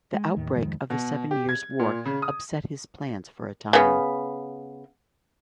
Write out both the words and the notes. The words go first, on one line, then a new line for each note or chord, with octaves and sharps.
The outbreak of the Seven Years' War upset his plans for a time.
G#3
D#2 A2 D#3
D1 F2 D#3 G#3
B2
G4
G#6
A#2
C#3
D#6
C#3 B3